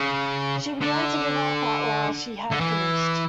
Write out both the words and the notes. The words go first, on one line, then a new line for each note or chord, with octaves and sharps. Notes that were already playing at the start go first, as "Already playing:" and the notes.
She began to give up at last; she had finished.
Already playing: C#3
D3
D3
E3